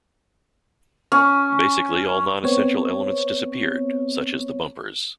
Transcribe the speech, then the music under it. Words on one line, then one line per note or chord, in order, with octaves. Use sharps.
Basically all non-essential elements disappeared, such as the bumpers.
C#4
B3 C4 C#5